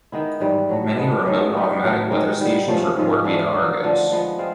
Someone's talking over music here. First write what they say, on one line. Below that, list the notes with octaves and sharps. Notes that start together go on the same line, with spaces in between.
Many remote automatic weather stations report via Argos.
D#3 G#3 B3 E4
G#2 E3 G3
A2 F#3 A3
G#3 B3 E4 A4
D#3 F#3 A3 C#4
G3 B3 D#4
A2 F#3 A3
D#3 G#3 C4 D#4
D#3 G3 B3
C3 F3 A3 C#4
G#2 F3 G#3 C#4
E3 G#3 B3 D4
D3 F#3 A#3
D3 F3 A3 D4
F3 G#3 B3
G#3 C4 F4